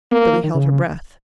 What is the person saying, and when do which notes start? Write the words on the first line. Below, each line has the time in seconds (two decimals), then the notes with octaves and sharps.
Billy held her breath.
0.12 A#3 B3
0.22 B3
0.33 F3
0.44 D#3
0.55 C#3